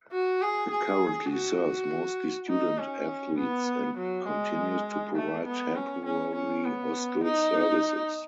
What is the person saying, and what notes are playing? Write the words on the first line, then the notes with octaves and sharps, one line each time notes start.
It currently serves mostly student athletes and continues to provide temporary hostel services.
F#4
G#4
G#4
F#4
D#4
C#4
B3
F#3
G#3
A3
B3
C#4
C#4
C#4
B3
D#4